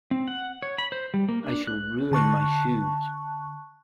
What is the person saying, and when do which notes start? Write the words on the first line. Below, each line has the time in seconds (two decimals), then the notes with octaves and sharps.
I shall ruin my shoes.
0.11 C4
0.28 F#5
0.62 C#5
0.78 B5
0.92 C5
1.14 G3
1.29 A#3
1.44 D4
1.67 F#6
2.12 D3 A5 C#6 F#6